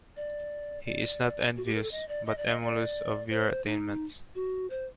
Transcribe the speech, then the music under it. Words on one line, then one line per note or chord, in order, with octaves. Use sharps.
He is not envious, but emulous of your attainments.
D5
D5
F#4
G4
A#4
A4
D#5
D5
D#5
D5
D#5
D5
C5
D#4
F#4
C5